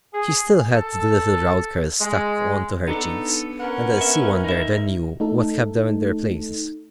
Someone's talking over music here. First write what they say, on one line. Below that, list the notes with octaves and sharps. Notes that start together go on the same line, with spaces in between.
She still had the little round curls stuck on to her cheeks, and Elsie wondered anew what kept them in their places.
G#4
A4
G#3
B3 D4 D#4 A4
C#4 A#4 B4 F#5
B3 E5
D#4 E5
A3 D#4 A4